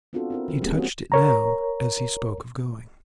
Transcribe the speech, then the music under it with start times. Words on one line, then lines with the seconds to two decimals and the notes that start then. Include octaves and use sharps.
He touched it now as he spoke of going.
0.13 B3 C4 D4 F4 F#4 A4
0.30 C4 E4 A#4
0.48 E3
0.62 G3 A#3 B3 C#4 D4 G#4
0.76 B3 C4 F#4
1.12 A#4 C#5 A#5